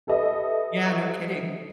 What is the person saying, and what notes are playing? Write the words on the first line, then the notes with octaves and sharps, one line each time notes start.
Yeah. No kidding.
G4 A4 B4 D#5 E5